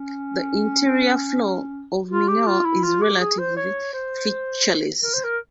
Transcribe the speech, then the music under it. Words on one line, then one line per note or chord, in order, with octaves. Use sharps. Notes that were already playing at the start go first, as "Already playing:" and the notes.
The interior floor of Mineur is relatively featureless.
Already playing: C#4
F4
G4
F4
E4
F4
G4
G#4
C5
C#5
C5
A#4
C5
A#4